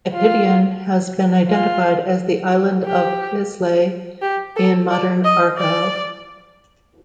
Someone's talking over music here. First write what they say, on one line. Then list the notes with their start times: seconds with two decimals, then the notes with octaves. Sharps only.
"Epidion" has been identified as the island of Islay in modern Argyll.
0.13 F4
1.48 F4
2.85 G4
4.22 G4
4.56 A4
4.90 D5
5.24 D#5
5.58 D5